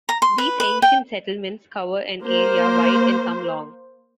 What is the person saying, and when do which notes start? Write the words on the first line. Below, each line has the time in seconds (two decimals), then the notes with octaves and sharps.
These ancient settlements cover an area wide and some long.
0.09 A#5
0.22 C6
0.38 B4
0.60 B4
0.82 G5
2.24 A#3 C5